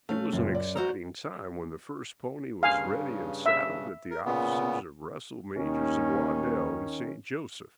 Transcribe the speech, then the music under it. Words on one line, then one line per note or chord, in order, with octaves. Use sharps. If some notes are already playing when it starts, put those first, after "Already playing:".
It was an exciting time when the first pony was ready and saddled at the offices of Russell, Majors & Waddell, in St. Joseph.
A#2 A3 C#4 F5
C#2 F#2 A#2
D5
F#4 C5 A#5
G2 C#3 F5 G#5
E5
A#4
A#2 C#3 B3
D#2 D#3 C#4